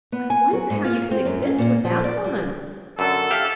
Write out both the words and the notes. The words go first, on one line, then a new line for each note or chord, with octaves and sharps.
'I wonder how you can exist without one.
B3
G#5
F#3
G#2
F4
C4
F#2
C#4
A#2
F3
D5
G3
F#2 D3 A4
G4 E5 F5